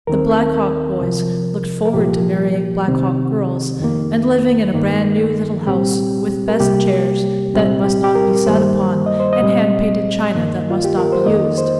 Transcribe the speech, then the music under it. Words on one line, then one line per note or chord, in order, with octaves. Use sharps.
The Black Hawk boys looked forward to marrying Black Hawk girls, and living in a brand-new little house with best chairs that must not be sat upon, and hand-painted china that must not be used.
D#2 D#3 C4 A#4
C2 C3 F3
A#4
C2 A#2 F3 A#3 G4
C2 C3 D#3 C4
F2 D#3 A#3
G2 D#3 A#3
C2 A#2 G3 C4 G4
A#4
C2 C3 G3 A#3 G4
C2 A#2 G3 C4
G4
G4
A#4
G2 D#3 G3 A#3 C5
D#5
C5
D#5
C2 A#2 G3 C4
G2 D#3 A#3
F4
G4
A#4
C5
F2 D#3 A#3 D#5
C5